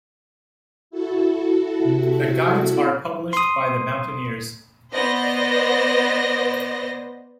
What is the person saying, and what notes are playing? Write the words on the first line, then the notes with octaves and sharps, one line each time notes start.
The guides are published by The Mountaineers.
E4 F#4 A4
C3
C6 D#6
B3 C5 D5 D#5 A#6